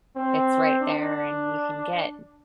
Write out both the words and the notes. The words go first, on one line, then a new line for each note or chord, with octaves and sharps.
it's right there, and you can get
C4
D4